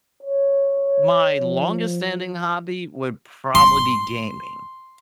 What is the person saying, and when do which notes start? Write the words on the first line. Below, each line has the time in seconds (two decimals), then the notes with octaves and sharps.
my longest standing hobby would probably be gaming.
0.23 C#5
1.40 F3
3.55 C6